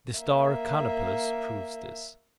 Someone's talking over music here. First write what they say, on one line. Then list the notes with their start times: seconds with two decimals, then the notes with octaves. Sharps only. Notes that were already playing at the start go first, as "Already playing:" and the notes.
The star Canopus proves this.
0.18 A#3 E5